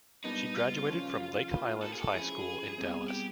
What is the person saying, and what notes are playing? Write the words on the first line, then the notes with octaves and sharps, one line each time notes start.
She graduated from Lake Highlands High School in Dallas.
A#2 G3 B3 D4 D#4
F4
C#3 F3 A3 C#4
A#3 D#4 G4 B4
A4
G#4
A4
F3 A3 C#4 E4 G#4
B2 G3 C4
G4